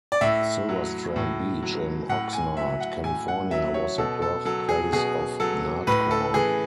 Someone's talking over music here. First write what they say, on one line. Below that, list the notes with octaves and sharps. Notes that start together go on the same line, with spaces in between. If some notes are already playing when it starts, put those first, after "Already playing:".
Silverstrand Beach in Oxnard, California was the birthplace of Nardcore.
D5
A2 E5
F#3
A2
F#3
A2 F#5
G#5
F#3 E5
F#5
A2 G#5
F#5
F#3 E5
C#5
B2 A4
A4
F#3 A4
G#4
B2 G#4
F#3 A4
A2 B4
A4
E3 G#4